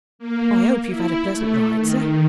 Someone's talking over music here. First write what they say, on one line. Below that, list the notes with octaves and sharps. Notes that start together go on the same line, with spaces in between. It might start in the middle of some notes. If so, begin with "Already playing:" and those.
'I hope you've had a pleasant ride, sir.
A#3
E4
A3
D#3